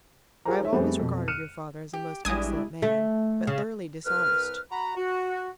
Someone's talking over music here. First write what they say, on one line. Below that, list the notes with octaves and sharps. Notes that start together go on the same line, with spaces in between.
I have always regarded your father as a most excellent man, but thoroughly dishonest.
F4 G4 G#4 A#4 C5 A#5
D#4 C#5 E5
F2 G3 A3 B3 C4 G#4
F2 B2
F6 F#6 C#7 D#7 E7
G4
A1 B2 G3 G#3 D4 E4 G#5 D#6
A3
C#3
C2 B4 F6
F#4 A#5 B5
F#4